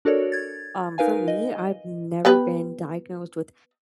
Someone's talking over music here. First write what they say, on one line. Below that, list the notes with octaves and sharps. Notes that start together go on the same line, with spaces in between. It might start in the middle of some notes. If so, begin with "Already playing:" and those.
Um, for me, I've never been diagnosed with
D4 F#4 A4 A#4 C#5 D5
G#6 A6
D#4 A#4 B4 F5 G#5
D#5
B3 G4 B4